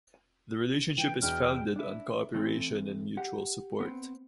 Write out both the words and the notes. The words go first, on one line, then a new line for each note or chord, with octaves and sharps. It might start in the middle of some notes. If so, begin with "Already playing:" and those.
The relationship is founded on cooperation and mutual support.
E3 G5
E2 B2 G5 F6
D4 E4
E3 A3 C4
G4 F#5
B3 C4